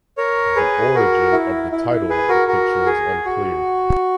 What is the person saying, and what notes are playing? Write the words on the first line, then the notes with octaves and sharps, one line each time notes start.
The origin of the title of the picture is unclear.
A#4 C#5
G#4 B4
F#4 A#4
E4
E4
E4
G#4 B4
F#4 A#4
F#4 A#4
G#4
F#4